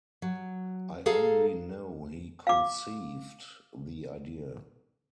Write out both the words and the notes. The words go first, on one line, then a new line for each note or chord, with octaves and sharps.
I only know he conceived the idea.
F#3
G#4 A4 F5 A#5
F5 D6